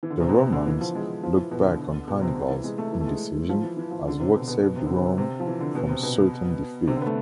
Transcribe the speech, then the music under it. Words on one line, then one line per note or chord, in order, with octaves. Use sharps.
The Romans looked back on Hannibal's indecision as what saved Rome from certain defeat.
E3
D3
C3
B2
C3
D3
E3
F3
G#3
F3
E3
B2
D3
B2
C3
C3
E3
G#3
A3
E3
A3
G#3
F3
E3
E3
F3
D3
C3
B2
B2
B2
C3
D3
C3
C3
F3
E3
D3
B2
C3
B2
C3
D3
B3
A3